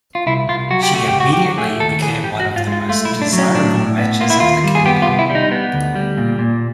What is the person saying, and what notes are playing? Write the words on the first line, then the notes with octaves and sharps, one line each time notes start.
She immediately became one of the most desirable matches of the kingdom.
F4
C2 E4
C2 F4
F#3 F#4
G4
A3 F#4
G4
C#2
F#4
F#3 G4
F#4
A3 G#4
D#2 A4
E3 G#4
G#2 G4
F#4
G#2
F4
G#3 F4
A3 F4
E4
B1
D4
F#3
C#4
A2 D4
A2
B3
A#3 F4
E4
D#2 F4
G3
G#4
B3 G4
F4
C2
E4
G3
D#4
B3
D2
G3
A#2
A#2